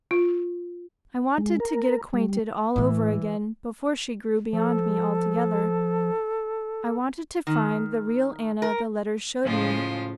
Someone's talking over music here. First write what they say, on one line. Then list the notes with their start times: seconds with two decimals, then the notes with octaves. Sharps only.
I wanted to get acquainted all over again, before she grew beyond me altogether--I wanted to find the real Anna the letters showed me.
0.11 F4
1.38 G#3
1.60 A#4
2.14 G3
2.76 A2 E3 A3
4.53 F3 A4
7.47 D#3
8.62 A#4
9.46 A2 C#3 F3 G#3 F4